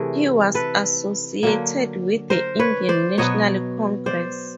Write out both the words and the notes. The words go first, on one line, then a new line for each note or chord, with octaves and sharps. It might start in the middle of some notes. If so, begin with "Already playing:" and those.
He was associated with the Indian National Congress.
Already playing: C3 E3 A3 G#4 A#4
A4 B4
D3 F#3 A#3
A#4 C5
B4 C#5
C5 D5
B2 F#3 B3 C#5 D#5
C5 D5